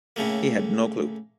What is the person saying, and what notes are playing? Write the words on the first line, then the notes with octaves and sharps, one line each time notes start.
He had no clue.
A2 C#3 A3 A#3